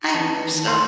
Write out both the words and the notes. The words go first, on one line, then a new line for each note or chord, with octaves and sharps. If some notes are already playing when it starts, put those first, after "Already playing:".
I hope so.
E3 A5
D#3
C6